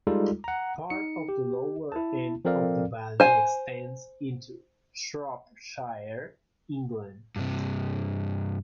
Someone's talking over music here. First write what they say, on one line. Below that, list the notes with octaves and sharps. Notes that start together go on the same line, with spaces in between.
Part of the lower end of the valley extends into Shropshire, England.
G3 G#3 D#4 F4 A4
F#5 A#5
D#4 C#7
G4
E4 A5
F3 C4 A4 A#4 D5 F5
C5 G#5
G2 C3